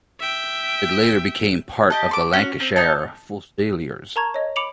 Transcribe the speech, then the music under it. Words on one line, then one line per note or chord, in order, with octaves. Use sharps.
It later became part of the Lancashire Fusiliers.
E5 G5
G4 D#5 A5
A5 C6 D6
C#4 F#4
C4
D#4 A5
A#4 A5 A#5 C#6 G#6
C#5 D#5
B5 D6 C#7 D7 F7 F#7